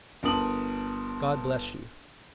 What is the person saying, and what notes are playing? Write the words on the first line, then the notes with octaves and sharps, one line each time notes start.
God bless you!
G1 A#4 A5 D#6 F#7